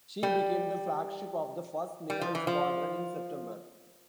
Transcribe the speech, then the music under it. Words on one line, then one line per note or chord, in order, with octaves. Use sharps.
She became the flagship of the First Naval Squadron in September.
G3
G3
F3
E3
F3